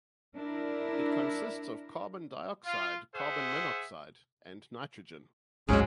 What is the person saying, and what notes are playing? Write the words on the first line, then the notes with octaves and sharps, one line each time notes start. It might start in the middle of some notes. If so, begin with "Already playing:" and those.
It consists of carbon dioxide, carbon monoxide and nitrogen.
D4 E4 A#4
F4
G#4 C5 E5 F#5
A1 D2 G#2 F#3 G#3 C#4 G#4